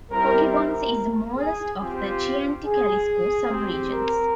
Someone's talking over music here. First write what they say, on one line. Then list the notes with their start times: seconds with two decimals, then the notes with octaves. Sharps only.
Poggibonsi is the smallest of the Chianti Classico sub-regions.
0.11 G3 C4 E4 G4 A#4
0.53 A#4
1.38 G#4
1.80 C4 F4 G4
2.66 G#4
3.50 C4 G4
3.93 A#4